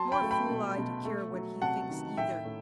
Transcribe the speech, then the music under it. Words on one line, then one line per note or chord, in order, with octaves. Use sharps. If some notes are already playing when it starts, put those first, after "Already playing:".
More fool I to care what he thinks either!
Already playing: F#3 A5 C6
G5 B5
A3
G5 B5
B2
B2
A3
F#3
C3 F#5 A5
D#3
A2 E5 G5
A2